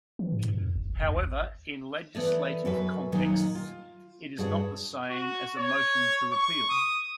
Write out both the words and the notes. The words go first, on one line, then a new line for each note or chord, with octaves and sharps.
However, in legislative contexts, it is not the same as a motion to repeal.
E3
G#2
G2
F2
F#1
E1
D#2
G1
E3 B3 A4 D5
F#2 F#4 A4 B4
A#2 D#3 F#3 D#4 F#4 G#5
F4
G2 F#4 G#4 C#5 F#5
F#4
C#5
C#6
D#6